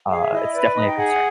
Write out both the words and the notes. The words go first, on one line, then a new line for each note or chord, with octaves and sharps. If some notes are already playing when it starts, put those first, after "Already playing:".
uh, it's definitely a concern.
G#4 F5
E5
E4 D#5
D#5
B4 D5
D5
D#4 D#5
G5
G#4 F#5